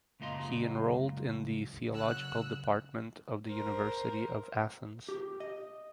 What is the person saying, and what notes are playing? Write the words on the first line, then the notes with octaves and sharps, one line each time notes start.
He enrolled in the Theological Department of the University of Athens.
C#2 F#2 A#2 F4 D#5 C6
C#3 F#3 F#5 E6 F#6
A#4 C5
G4
D#5